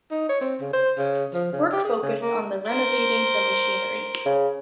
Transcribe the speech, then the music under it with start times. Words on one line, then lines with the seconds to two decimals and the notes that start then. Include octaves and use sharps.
Work focused on the renovating the machinery.
0.11 D#4
0.29 C#5
0.41 C4
0.61 C#3
0.73 C5
0.98 C#3
1.34 F3
1.52 C#3
1.72 G4
1.85 G#4
2.03 C#3
2.22 A#3
2.67 A#4 C5
4.25 C#3